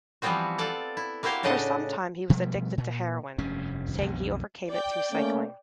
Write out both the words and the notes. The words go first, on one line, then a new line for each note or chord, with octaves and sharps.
For some time he was addicted to heroin, saying he overcame it through cycling.
E3 F3 G3 B3 C4 F#4
F4 A4 D5 F#5
E4
A#3 E4 F#4 G4 C5 F5
A2 C#3 D4 D#5 F#5
B2 F3 G3 A3
A#2
F1 G2 C3 C#4
B1 F2 B2 D3
D5 G5
A3 A#3 C#4